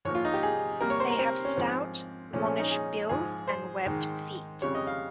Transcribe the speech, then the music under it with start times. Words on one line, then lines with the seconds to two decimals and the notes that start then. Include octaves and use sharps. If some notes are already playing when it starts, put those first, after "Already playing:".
They have stout, longish bills and webbed feet.
0.05 G#2 F3 A#3 C#5
0.15 F4
0.25 D#4
0.34 G4
0.43 G#4
0.81 C3 G3 A#3 A#4
0.90 C#5
1.00 C5
1.10 A#4
1.19 C4
1.45 C#4
1.57 G#2 F3 G#3 C4
2.33 A#2 F3 G#3 C#4
2.46 C#4
2.59 D#4
2.71 G#4
3.09 G#2 F3 G#3 G#4
3.48 C5
3.86 G#2 D#3 G#3
4.62 F2 C#3 G3 C#5
4.75 D#5
4.87 F5